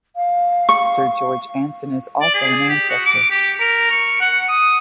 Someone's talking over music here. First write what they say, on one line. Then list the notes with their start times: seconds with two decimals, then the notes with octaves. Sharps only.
Sir George Anson is also an ancestor.
0.16 F5
0.69 C#6
2.21 D5
2.34 G#4
2.69 G4
2.89 F#4
3.06 D6
3.30 G4
3.60 A#4
3.91 C#6
4.21 F#5
4.49 D#6